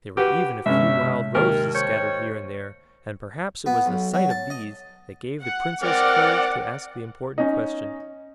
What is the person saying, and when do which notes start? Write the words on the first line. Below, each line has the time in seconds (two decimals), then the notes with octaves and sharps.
There were even a few wild roses scattered here and there and perhaps it was the sight of these that gave the Princess courage to ask the important question.
0.17 F#4 G4 B4
0.66 G1 C3 G#3 C#4 E5
1.35 D#2 A#4
1.75 C5 C#5 C#6 G6
3.66 B3
3.86 B1
4.14 F#3
4.30 A5
4.50 D#5
5.42 F#5
5.83 C4 A#4 D5 F#5 F6
7.38 C#4 D#4